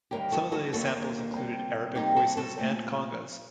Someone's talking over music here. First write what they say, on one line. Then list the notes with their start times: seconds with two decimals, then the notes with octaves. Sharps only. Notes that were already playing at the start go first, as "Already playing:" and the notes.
Some of the samples included Arabic voices and congas.
0.11 D#2 D3 G3 A#3 G4 A#4
0.32 F#4 A4
0.52 F#4 A4
0.73 D#2 D3 G3 A#3 F#4 A4
1.35 C3 G3 A#3
1.95 C3 G3 A#3 D#4 G4
2.16 F#4 A4
2.37 F#4 A4
2.57 A#2 A3 C4